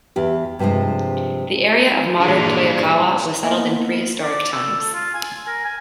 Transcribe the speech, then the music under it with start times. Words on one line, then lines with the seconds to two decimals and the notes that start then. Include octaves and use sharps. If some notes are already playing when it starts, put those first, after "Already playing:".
The area of modern Toyokawa was settled in prehistoric times.
0.16 E2 G4
0.59 G2 C3 D#3 F3 G#3
2.20 A#2 E3 G3 G#3 D4
3.43 A#3 B3 E4 A#4 D#5
4.23 D5
4.52 E6
4.80 A4
4.94 F4
5.14 G#5
5.47 A#4
5.65 G#5